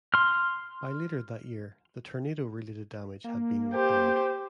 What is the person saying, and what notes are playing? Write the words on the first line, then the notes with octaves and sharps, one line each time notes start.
By later that year, the tornado related damage had been repaired.
C6 F6
A#3
G4 C5